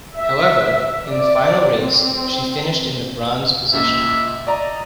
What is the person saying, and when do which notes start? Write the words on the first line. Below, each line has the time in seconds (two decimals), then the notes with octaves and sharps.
However, in the final race she finished in the bronze position.
0.17 E5
1.07 D5
1.82 C4
3.73 C#2 A#2 E5
4.47 D5 D#5 A#5